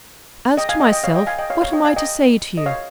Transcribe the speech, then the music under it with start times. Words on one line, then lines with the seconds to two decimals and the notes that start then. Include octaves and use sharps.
As to myself, what am I to say to you?
0.57 D#5 G5
0.69 F5 G#5
0.80 D#5 G5
0.92 D#5 G5
1.04 C#5 F5
1.15 D#5 G5
1.27 F5 G#5
1.39 D#5 G5
1.50 C#5 F5
1.62 C#5 F5
1.73 D#5 G5
1.85 F5 G#5
1.96 D#5 G5
2.57 D#5
2.66 C#5 F5